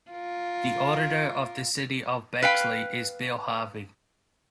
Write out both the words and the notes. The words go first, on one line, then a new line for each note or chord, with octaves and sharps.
The Auditor of the City of Bexley is Bill Harvey.
F4 A#4
B4 F5 G5